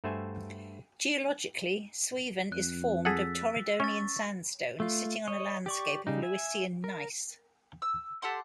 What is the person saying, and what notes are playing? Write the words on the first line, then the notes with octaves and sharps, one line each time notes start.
Geologically, Suilven is formed of Torridonian sandstone, sitting on a landscape of Lewisian Gneiss.
G2 A3 F#4 C5 E5 G#5
F2 F#6
G#4 A4 F#5 E6 A6 B6
C#4 C#6 A6
A3 F4
C#5 D#5
G4 D5 C#6
C#3 G3 D#4
E5 G#5
A#4
E6
G4 A4 F#5 C6